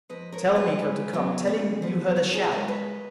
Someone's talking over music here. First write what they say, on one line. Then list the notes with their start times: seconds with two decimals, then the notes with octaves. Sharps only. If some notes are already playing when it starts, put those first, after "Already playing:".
Tell Miko to come--tell him you heard a shout.
0.09 F2 B4 D#5
0.32 A#4 C#5
0.44 C#3 F3 G#3
0.55 G#4 B4
0.79 G#2
1.13 F#3 B3
1.47 C#3
1.82 F3 B3
2.16 F#2 F#4 A#4
2.33 F4 G#4
2.44 D#5
2.51 C#3 G#3 A#4 C#5
2.68 B4 D#5